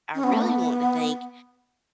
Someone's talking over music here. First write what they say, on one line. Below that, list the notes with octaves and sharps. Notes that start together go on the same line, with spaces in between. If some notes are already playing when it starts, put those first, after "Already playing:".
I really want to think
C#4
B3
A3
B3
B3